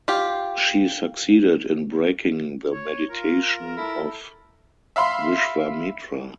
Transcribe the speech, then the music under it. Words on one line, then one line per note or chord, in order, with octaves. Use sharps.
She succeeded in breaking the meditation of Vishwamitra.
F4 G4
C#5
F4 A#4
E4 A4
E5 F5 B5 C6